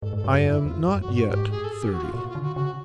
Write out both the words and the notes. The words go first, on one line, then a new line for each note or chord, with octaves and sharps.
'I am not yet thirty.'
G#2 A4
G#2
A4
G2
F#2 G4
F#2 E4
F2 F4
F#2
F#4
G2
F#4
G#2 G4
G#4
A4
G#4
G4
F#4
F4
A#2 F#4
F4
D3
F#4
C#3 F#4